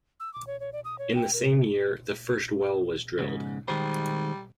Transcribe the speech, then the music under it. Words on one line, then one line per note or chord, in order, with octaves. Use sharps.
In the same year, the first well was drilled.
E6
D6
C#5
C#5
D5
D#6
C#5
G5
A#4
G#2 C#3
D#3 G3 G#3 C5